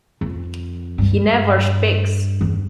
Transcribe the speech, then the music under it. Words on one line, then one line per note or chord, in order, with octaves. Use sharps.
He never speaks.
F2
G2
E2